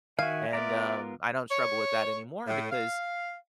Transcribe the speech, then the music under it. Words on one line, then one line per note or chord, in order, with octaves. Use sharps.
and, um, I don't struggle with that anymore because
D#3 F#4 E5 F5 G#5
B3 F4 A#4 D5
C#5
A2
F5